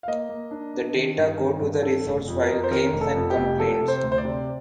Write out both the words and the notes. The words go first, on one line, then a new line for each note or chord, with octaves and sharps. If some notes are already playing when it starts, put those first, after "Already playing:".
The data go to resource files, claims and complaints.
F5
A#3 D#5
A#3
D4
D4
D#3
G2
D#3
G2
D#3 A4
F1
F2
A#4
F2
C5
D#3 A#4
F1
A4
F2
G4
F1
F3 A4
C3
C5
D2
C5
D5
C3